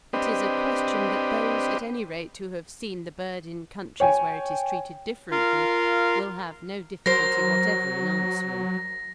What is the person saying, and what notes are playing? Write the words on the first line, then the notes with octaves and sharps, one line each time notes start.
It is a question that those, at any rate, who have seen the bird in countries where it is treated differently will have no difficulty whatever in answering.
C4 D4 G4 B4 D#5
C#5 G5 G#5
F4 A#4 F5
F#3 A#4 C5 A#6